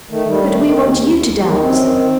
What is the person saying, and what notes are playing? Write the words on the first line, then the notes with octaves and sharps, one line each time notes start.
'But we want you to dance.'
D#3 A3
D#3 G3
D#3 A3
D#3
D#2
D#2
D#2
D#2
D#3
F#2 C4
D#3